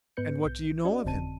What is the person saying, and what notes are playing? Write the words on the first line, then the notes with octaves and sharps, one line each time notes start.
"And what do you know of him?"
G#2 B3 B4 G6 C#7
B1 G6
C#4 F#4 D5 D#5
G1 F2 D3 C4 A5 D#7